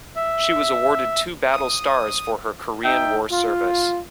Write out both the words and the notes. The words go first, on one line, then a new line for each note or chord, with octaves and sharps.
She was awarded two battle stars for her Korean War service.
E5
D#6
D#4 E5 G5
F4